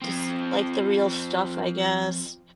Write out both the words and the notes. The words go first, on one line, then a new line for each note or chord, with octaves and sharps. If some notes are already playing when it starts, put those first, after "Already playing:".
just like the real stuff, I guess.
F3 C4